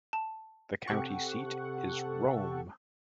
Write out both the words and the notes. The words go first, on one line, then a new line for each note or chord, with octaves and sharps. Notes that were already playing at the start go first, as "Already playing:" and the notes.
The county seat is Rome.
A5
C3 G4 A4 F#5 C#6